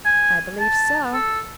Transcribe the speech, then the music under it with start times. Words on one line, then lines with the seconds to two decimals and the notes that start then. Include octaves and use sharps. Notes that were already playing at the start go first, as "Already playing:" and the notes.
"I believe so."
0.05 G#5
0.60 A5
1.13 A4